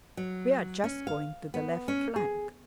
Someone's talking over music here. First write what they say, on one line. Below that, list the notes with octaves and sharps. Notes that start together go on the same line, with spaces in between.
We are just going to the left flank.
F#3
C#4
F5
B3
C#4
G#4